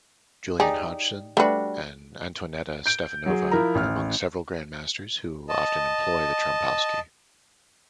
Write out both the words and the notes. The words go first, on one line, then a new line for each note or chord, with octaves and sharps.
Julian Hodgson and Antoaneta Stefanova are among several grandmasters who often employ the Trompowsky.
D#4 G4 G#4 D5
G3 A3 D4 F#4 B4
G6 D7
F#3 G#4
F3 E4 A#4 A#5
A1 F6
D#5 A5